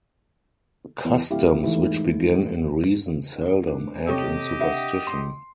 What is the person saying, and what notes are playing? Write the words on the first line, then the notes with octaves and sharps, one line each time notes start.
Customs which begin in reason seldom end in superstition.
E2
D1 E4 G4 F5
G#2 E3 A3 E4
D4
C3 G4 A4 C#5 D#5
D4 E5 F#5
C6